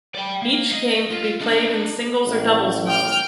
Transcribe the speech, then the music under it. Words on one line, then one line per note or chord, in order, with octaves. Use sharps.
Each game could be played in singles or doubles mode.
D5 G5
A#3
D#5
F4
D4 D#4
A1
G5 F6